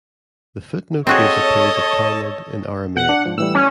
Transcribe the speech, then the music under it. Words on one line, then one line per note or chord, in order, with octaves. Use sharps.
The footnote gives a page of Talmud in Aramaic.
C4 F#4 G#4 A4 C#5 D#5 A5
B2 F#5
D4
G#2 F3
A2 E3 G3 E6
C#4